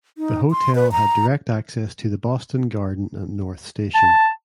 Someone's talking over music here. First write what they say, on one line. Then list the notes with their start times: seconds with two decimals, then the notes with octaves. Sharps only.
The hotel had direct access to the Boston Garden and North Station.
0.18 D#4
0.51 C6
0.75 B4
0.92 A#5
3.95 A5